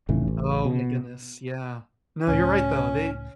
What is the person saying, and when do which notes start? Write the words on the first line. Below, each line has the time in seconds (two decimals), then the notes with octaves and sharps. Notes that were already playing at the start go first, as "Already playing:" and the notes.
Oh my goodness, yeah, no, you're right though, they
0.09 F1 A2 C#3 E3
0.28 A1
0.65 B2
2.27 C#2 A2 C#4